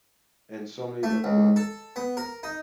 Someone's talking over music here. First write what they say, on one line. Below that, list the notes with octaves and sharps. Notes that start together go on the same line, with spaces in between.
and so many of them
A3
C#2
A4
B3
A#4
D#4